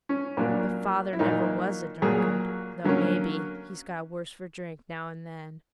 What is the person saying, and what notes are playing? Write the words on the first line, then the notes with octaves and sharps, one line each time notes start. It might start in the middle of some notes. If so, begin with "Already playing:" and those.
But father never was a drunkard, though maybe, he's got worse for drink, now and then.
C#4
A#2 F#3 A#3 D4
E4
A#2 F#3 A#3 D#4
A#2 F#3 A#3 G#4
D3 F#3 A#3 C#4